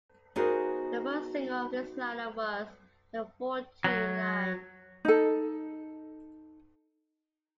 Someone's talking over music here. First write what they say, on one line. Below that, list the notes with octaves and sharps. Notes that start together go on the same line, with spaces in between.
The first single of this lineup was "The Fortune Line".
B3 D#4 F#4 G#4 A#4 C5
F#3
D#4 A4